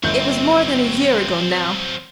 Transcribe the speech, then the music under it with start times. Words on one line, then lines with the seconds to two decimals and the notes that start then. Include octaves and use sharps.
It was more than a year ago now.
0.04 G1 F#3 C4 G6